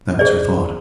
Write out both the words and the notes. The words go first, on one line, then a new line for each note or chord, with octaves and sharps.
That was her thought.
G#4 C5 D5